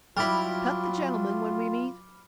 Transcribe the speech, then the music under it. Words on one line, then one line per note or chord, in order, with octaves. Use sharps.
Cut the gentleman when we meet?
F#3 G3 E4 F4 B5 D6 F6